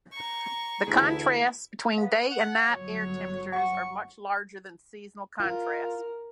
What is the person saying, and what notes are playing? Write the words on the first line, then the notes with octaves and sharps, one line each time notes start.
The contrasts between day and night air temperatures are much larger than seasonal contrasts.
A#5 C#6
D2 E3 A3 E4 G#4 B4
B3 F5
F#5
G1 F#3 C#5
F#5 C#6
F4 A#4